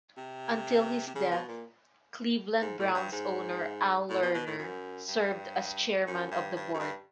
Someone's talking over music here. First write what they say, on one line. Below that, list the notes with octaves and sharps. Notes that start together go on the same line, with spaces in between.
Until his death, Cleveland Browns owner Al Lerner served as Chairman of the Board.
C3
C3
C#3
B2
A#2
G#2
A2
G2
G#2
A2
B2
B2
A2
F#2
G2
F#2
G2
G2
F#2
G2